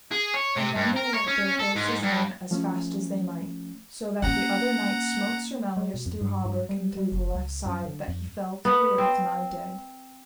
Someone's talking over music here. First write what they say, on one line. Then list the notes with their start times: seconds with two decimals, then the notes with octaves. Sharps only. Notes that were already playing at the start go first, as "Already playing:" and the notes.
And then they let their horses run as fast as they might, so that the other knight smote Sir Melias through hauberk and through the left side, that he fell to the earth nigh dead.
0.11 G#4
0.34 C#5
0.56 C3
0.75 G2
0.96 A#4
1.14 C#5
1.28 C#4
1.59 A4
1.76 G#2
2.03 G2
2.51 F3 A3 C#4
4.22 A#3 C#4 F#5 A#5
5.77 G#3
5.94 B2
6.06 F2
6.21 G2
6.45 G2
6.69 G3
6.97 G3
7.12 F#1
7.35 C#2
7.66 F#2
7.86 D3
8.08 F2
8.65 B3
8.98 C4